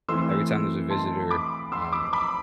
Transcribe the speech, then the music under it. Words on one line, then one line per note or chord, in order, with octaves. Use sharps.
every time there's a visitor, um,
E3 A3 C4 E4 C6 E6
A5 C6
B5 D6
C6 E6
B5 D6
B5 D6